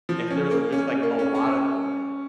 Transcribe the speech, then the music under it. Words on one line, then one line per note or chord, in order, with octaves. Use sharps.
if there's just, like, a lot of them, and
F3
C#4
A#3
C#4
C#4
A#3
C#4
C#4